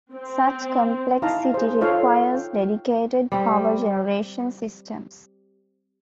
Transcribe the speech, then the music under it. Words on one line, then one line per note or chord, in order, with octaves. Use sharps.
Such complexity requires dedicated power-generation systems.
C4
D#4 E4 F5 A5 A#5
G#4 C5
D#4 F4 A4 C#5 F5
G5
G3 C4 G4